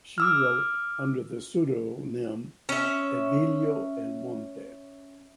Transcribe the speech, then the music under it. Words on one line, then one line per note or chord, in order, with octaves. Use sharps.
She wrote under the pseudonym "Evelio El Monte".
D6 E6 F6
C#4 E5